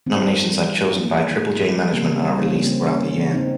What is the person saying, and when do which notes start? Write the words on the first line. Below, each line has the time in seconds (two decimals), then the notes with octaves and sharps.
Nominations are chosen by triple j management and are released throughout the year.
0.06 D#3 C4
0.37 G3
0.68 D#3
1.00 A#3
1.31 D#3
1.62 G3
1.93 C#3 A#3
2.17 C4
2.25 G3
2.40 A#3 C#4
2.55 C#3 A#3
2.63 C4
2.87 A#3 C#4
3.18 C#3
3.34 C4 D#4